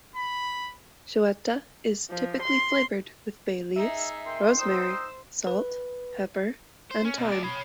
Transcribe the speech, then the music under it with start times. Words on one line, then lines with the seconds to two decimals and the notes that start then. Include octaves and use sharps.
Goetta is typically flavored with bay leaves, rosemary, salt, pepper, and thyme.
0.16 B5
2.10 F3
2.42 C6
3.76 D#4 G#4 E5
4.25 A#2 G5 C6
4.58 D#4 C5 E6
5.47 B4
6.91 C5
7.05 C#4
7.18 B2
7.32 A3 D5
7.43 C#5 B5